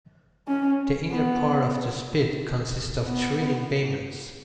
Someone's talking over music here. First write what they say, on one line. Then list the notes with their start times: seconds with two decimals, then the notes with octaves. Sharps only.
The inner part of the Spit consists of three embayments.
0.48 C#4
1.12 B3
3.05 B3